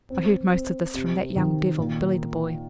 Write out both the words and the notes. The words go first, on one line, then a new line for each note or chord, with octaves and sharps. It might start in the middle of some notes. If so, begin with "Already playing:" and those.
'I heard most of this from that young devil, Billy the Boy.
C4
C4
C3
D#3
A#2